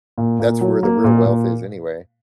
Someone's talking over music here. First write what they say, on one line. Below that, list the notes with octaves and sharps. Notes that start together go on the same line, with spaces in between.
that's where the real wealth is anyway.
A#2
A#2
F#3
A#3
A#2
A#2